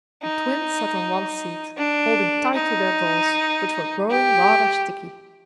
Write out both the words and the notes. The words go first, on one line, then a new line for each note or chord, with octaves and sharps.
The Twins sat on one seat, holding tight to their dolls, which were growing rather sticky.
D#4
D4
D#4
G4